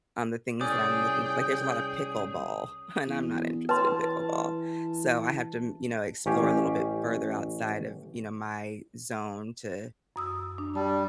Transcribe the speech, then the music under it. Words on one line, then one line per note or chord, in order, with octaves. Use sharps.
um, the things that I'm looking like, there's a lot of pickleball, and I'm not interested in pickleball. So, I have to m you know, explore a little bit further outside of, you know, my zone to
C2 C#4 G#4 D5 G5 D#6
E2
E3 B4 A5 C6
A1 C#4 G4 F5
F#2 D#6 E6
D4
G3 A5